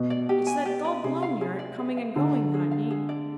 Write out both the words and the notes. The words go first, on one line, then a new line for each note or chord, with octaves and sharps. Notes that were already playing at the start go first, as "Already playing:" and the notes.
It's that dull glow near it, coming and going, that I mean.
Already playing: B2
D5
G4
G#5
G4
D5
C3 G#4
F5
G#4
D5
G#4
F5
D3 G#4
D5
G#4
F5
G#4
D5